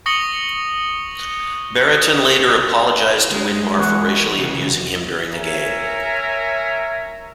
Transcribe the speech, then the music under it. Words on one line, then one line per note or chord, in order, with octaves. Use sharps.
Brereton later apologised to Winmar for racially abusing him during the game.
C#6 D#6 A#6 C#7 F#7 G7
G#3
E2 E3 F#4
C2 C#3
A#4 C#5 E5 G#5 A#5